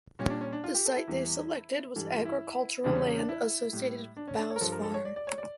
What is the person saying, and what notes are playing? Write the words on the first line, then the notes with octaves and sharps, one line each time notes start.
The site they selected was agricultural land associated with Bowes Farm.
A#2 G3 C#4
D4
C#4
D4
F4
G4
A4
E4
E2 E3 G3
G2 E3 G3 A4
F4
E4
E2 C#3 E3 G3 D4
C#4
C#4
D4
E4
A2 G3
D4
C#4
D4
C#5
A#4
G2 F3 A4
A#4
A4
C#5
D5
D5
C#5
D5